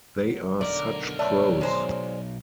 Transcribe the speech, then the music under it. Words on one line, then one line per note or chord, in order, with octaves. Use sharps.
They are such pros.
F#3
B1 D3 A#4 D5
A3 C#5 D5
G#3 C5 A#5